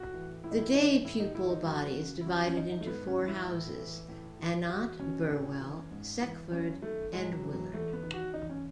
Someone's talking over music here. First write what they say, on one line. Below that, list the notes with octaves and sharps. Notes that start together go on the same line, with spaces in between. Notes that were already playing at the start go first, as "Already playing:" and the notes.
The day pupil body is divided into four houses, Annott, Burwell, Seckford and Willard.
Already playing: A2 F#4
E3
A2 E4
D#4
E4
E3 D#4
A2 E4
D#4
E3 E4
D#4
F#2 F#4
C#3
E4
F#2 F#4
C#4
D#3 D#4
D#4
A3
G#2 B3
C#4
E3
E4
A2
E3
A2
E3
E2 F#4
B2 C#4
A2
E3
G#2
E3
F#2 C#4
D#3 A3
A2 G#3
F#3
E3
F#3
E2 A3
B3
D#3
F#4
E2 D#4
C#4